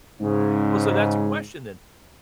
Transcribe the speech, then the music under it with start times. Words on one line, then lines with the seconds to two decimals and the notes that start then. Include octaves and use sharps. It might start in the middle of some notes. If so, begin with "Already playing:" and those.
Well, so that's a question then.
0.21 G#2 C#3